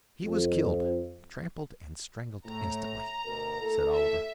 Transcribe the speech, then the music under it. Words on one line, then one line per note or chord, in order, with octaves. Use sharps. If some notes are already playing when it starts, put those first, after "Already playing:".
"He was killed--trampled and strangled instantly," said Oliver.
F2
A2 A#5
D2 B2 A#4
A3 E4 A4
E5